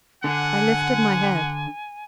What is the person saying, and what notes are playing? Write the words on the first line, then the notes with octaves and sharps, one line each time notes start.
I lifted my head.
D3 F#5 G#5